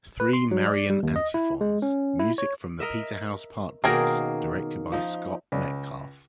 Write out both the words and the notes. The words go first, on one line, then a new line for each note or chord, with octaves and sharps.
Three Marian Antiphons : Music from the Peterhouse Partbooks, directed by Scott Metcalfe.
B4
C6
F#3
D5
G3
D#2
D#5
E4
G#3
C#4
E4
C#5
A#4 D#5 E5
B2 D#3 A#3 C#4 G#4 A#4
F3 D#4
C#2